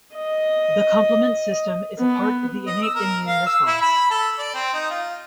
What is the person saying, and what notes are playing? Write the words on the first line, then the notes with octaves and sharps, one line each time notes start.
The complement system is a part of the innate immune response.
D#5
B3
D#5
E6
A#4
F5
E6
E4
B5
A4
D5
C4
D#4
F4